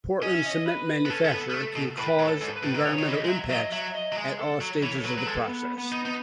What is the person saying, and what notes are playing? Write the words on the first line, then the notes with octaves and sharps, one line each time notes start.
Portland cement manufacture can cause environmental impacts at all stages of the process.
C#4 D#5
E5
D#5
B4
B3
C#4 A4
C#4
B3
B3
A3
B2
A2 B4
A2
A4
G#2
B4
A2
D#3
C#3 C#5
D#3
E3 D#5
G#3
F#3 E5
F#3 D#5
F#3 E5
D#5
F#3
G#3
A4
F#3
E3 C#5
A4
F#3 B4
F#3
G#3 A4
B3
B3
D#4
B3 D#4